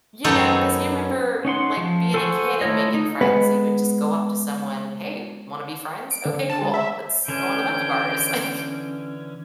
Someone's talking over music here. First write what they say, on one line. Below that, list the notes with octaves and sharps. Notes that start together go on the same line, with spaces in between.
You know, 'cause you remember, like, being a kid and making friends, you would just go up to someone, "Hey, wanna be friends? Okay, cool. Let's go on the monkey bars," like,
F#2 B3 D#4 A4 C#5
C#4 D#4 F#5 C6
F3
A4 C5 F#5 G#5 C#6
A3 E4 F4 C#5 D#5
D#4
G#3 B3
D7
D3
A5
G#3
E5
D3 E3 C#4 G6 D7